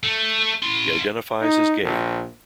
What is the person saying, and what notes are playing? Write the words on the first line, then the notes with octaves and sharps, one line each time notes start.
He identifies as gay.
A3
E4 C6
D#4
A#1